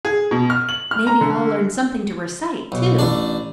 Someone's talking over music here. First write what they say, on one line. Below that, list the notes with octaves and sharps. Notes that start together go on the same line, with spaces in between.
"May be I'll learn something to recite, too."
G#4
B2
F6
F#7
F6
A#5
D3
B1
A1 D4